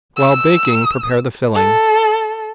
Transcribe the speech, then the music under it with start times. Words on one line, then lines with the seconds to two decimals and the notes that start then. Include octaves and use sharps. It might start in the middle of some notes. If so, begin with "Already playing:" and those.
While baking prepare the filling.
0.17 E6
1.55 A4